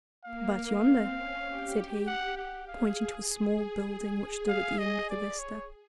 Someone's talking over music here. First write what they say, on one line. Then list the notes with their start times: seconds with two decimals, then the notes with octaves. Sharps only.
'But yonder,' said he, pointing to a small building which stood at the end of the vista.
0.25 A#3 F5
0.85 C4
1.16 C#4
1.46 G4
2.07 F#5
2.37 F#5
2.67 G#4 F5
3.28 G#4
4.48 F5
4.78 D#5
5.10 D5
5.39 C#5